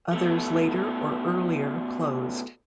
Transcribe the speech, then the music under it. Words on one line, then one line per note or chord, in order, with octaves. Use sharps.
Others later or earlier closed.
B2 A3